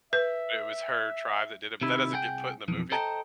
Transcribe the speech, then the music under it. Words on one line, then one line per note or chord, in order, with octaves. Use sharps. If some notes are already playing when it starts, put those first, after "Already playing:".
but it was her tribe that did it, but that doesn't get put in the movie.
B4 E5
C3 D#3 E4
C2 G#4 F#5 G5
B1 F2 E3
A4 C5 D#5 G5 A5 A#5